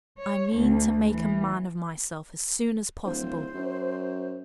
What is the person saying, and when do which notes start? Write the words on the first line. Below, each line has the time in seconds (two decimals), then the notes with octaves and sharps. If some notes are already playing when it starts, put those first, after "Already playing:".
"I mean to make a man of myself as soon as possible."
0.18 C#5
0.56 D2
1.09 E3
3.05 D1 C5
3.55 F#2